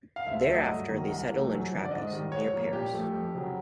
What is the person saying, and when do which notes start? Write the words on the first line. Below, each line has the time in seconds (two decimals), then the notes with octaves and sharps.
Thereafter they settled in Trappes, near Paris.
0.16 F5
0.27 D2 E5
0.41 E5
0.47 D3 F#3 A3
0.54 D#5
0.68 G2
0.88 D#3 F#3 A#3
1.09 C2
1.29 C3 E3 A3
1.50 F#2
1.70 D3 F3
1.85 D5
1.91 G#2 D#5
2.12 D#3 G3
2.32 G#2 C#5
2.52 F3 A#3
2.73 A#2 G4
2.94 F3 A3
3.14 F2
3.35 C#3 F#3